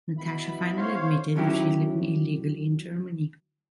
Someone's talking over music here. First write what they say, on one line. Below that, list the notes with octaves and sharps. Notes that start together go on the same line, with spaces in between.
Natasha finally admitted that she is living illegally in Germany.
B2 B3 E4 B5
C5 C#5 F5
D2 D#3 F#3 C#4 E4 G4